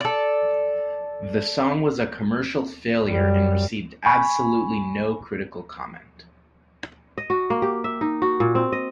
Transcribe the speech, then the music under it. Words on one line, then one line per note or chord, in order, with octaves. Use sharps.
The song was a commercial failure and received absolutely no critical comment.
A4 D5
F#2 G3
G#5 B5 C#6
D#5
F#4
A#3
G4
E5
D#4
F#4
A#2
C4
D#5